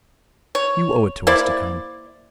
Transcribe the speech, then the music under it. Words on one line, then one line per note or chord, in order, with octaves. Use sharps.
You owe it to us to come.
C#5
A#3 E4 C5 D5